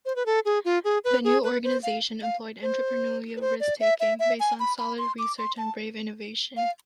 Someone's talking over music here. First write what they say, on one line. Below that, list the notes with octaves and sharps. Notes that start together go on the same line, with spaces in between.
The new organization employed entrepreneurial risk taking, based on solid research and brave innovation.
C5
B4
A4
G#4
F4
G#4
B4
G#4
B4
C5
F5
F5
C5
B4
C5
D5
E5
E5
E5
G#5
B5
B5
C6
D6
C6
A5
F5